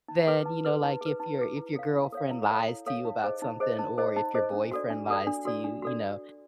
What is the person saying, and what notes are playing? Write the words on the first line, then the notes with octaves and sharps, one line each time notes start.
than, you know, like if your if your girlfriend lies to you about something or if your boyfriend lies to you, you know.
D#4
G#4 B4
D#4
G#4 B4
D#4
G#4 B4
D#4
G#4 B4
E4
A4 C#5 F5
E4
A4 C#5 F5
E4
A4 C#5 F5
E4
A4 C#5 F5
D#4
G#4 C5 D#5
D#4
G#4 C5 D#5
D#4
G#4 C5 D#5
D#4
G#4 C5 D#5
D4
F#4 A4 D5
D4
F#4 A4 D5
D4
F#4 A4 D5
D4
F#4 A4 D5